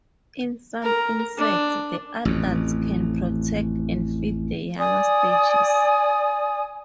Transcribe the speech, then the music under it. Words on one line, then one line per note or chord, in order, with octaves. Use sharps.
In some insects, the adults can protect and feed the younger stages.
A#4
D4
A1 F2
D5 G#5 D#6